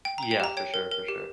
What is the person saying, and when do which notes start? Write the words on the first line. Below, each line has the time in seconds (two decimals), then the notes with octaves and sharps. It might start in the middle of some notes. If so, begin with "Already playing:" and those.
Yeah, for sure, for sure.
0.05 G5
0.18 G5 A#5
0.31 G5
0.40 G4 A#5
0.57 C#5 G5
0.74 A#4
0.91 A#4
1.08 G4